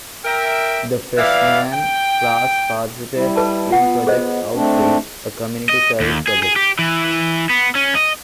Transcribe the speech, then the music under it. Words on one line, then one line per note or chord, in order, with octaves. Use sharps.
The freshman class participates in Project Outreach, a community service project.
A#4 E5 G5
E3 G3 D5 F5
G5
G3 E4
B4 D#5 A5
B3 F4 F#5
G#4 C5 D#5
A3 C4 D4
D#5
D#2
G#4
G#4
G4
E3
B3
C#4
D#5